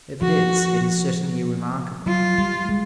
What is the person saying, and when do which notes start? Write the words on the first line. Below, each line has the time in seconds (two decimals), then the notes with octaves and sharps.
If it is, it is certainly remarkable.
0.21 F3 F#4
2.06 F#3 F4
2.38 G3
2.69 G#3